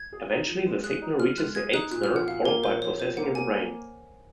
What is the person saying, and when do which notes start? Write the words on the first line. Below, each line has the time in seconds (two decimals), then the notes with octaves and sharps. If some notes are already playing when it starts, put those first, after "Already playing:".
Eventually the signal reaches the eighth nerve, followed by processing in the brain.
Already playing: G#6
0.12 G#4
0.30 D#4
0.48 F3
0.66 G#3
0.84 G#4 F#6
1.02 D#4
1.20 F3 F6
1.38 G#3 F#6
1.55 G#4 G#6
1.74 D#4 F#6
1.91 A#2 F#6
2.03 F6
2.09 F3
2.16 F#5
2.28 A#2 F5
2.45 A#3 A#4
2.63 A#2 C5
2.81 F3 C#5
2.99 A#2 C5
3.17 A#3 F#5
3.35 A#3 G#5